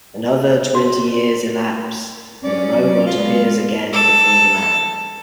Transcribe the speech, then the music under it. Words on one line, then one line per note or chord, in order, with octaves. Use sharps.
Another twenty years elapse, and the robot appears again before the man.
F#4
F#3 C#4 D5
G#3 B3 F4
A4